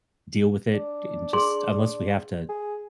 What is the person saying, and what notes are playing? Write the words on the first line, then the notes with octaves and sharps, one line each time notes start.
deal with it and just unless we have to,
D4
G#4 C6
G#4